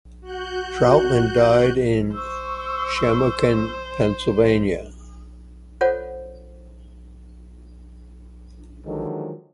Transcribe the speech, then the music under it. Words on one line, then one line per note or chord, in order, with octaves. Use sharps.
Troutman died in Shamokin, Pennsylvania.
F#4 F#6 G6
C5 C#6 E6
F4 A4 C5 C#5 F#5
D3 D#3 F3 F#3 G#3